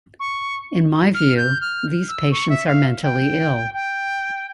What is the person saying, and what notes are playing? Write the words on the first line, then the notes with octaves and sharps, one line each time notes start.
In my view, these patients are mentally ill.
C#6
F6
G6
F6
E6
C#6
E5
F5
G5
G5